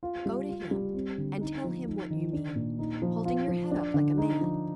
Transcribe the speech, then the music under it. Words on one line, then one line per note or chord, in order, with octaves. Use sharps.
Go to him, and tell him what you mean,--holding your head up like a man.
F4
G3
F4
G3
C4
D3
D#4
F3
D#4
D#3
D4
A#2
D#4
F3
F4
F3
D4
D3
D#4
F3